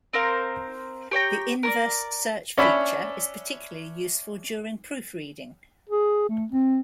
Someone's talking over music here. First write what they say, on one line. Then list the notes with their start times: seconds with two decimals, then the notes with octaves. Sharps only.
The inverse search feature is particularly useful during proofreading.
0.13 C4 A#4 C5 F5
1.11 G4 C#5 G5 A#5
1.63 A#4 C#5 D5
2.58 C#4 D4 C#5 D5 E5 B5
5.90 G#4
6.29 A3
6.52 C4